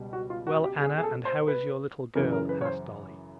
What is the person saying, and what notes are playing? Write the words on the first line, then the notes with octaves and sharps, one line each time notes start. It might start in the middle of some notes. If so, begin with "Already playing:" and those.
"Well, Anna, and how is your little girl?" asked Dolly.
Already playing: C#2 B2 G3
F#4
F4
F#4
G4
G#4
G#4
A4
C5
B4
F#2 C#3 E3 A#4
A#4
B4
C#5
C5